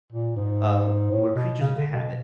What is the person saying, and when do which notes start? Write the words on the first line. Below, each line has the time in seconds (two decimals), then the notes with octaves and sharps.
uh, we're creatures of habit,
0.12 A#2
0.37 G#2
1.12 A2
1.35 B2
1.61 C#3
1.77 D3
1.93 B2